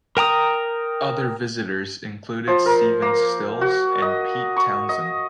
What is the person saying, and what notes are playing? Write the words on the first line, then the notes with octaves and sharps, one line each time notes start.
Other visitors included Stephen Stills and Pete Townshend.
A#4 G5 A#5 D#6
F3
A#4
A#3
F#4
D#5
C#6
D#5